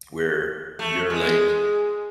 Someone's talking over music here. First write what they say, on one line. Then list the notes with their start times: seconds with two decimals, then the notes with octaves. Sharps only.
where you're, like,
0.79 A3
1.10 G#3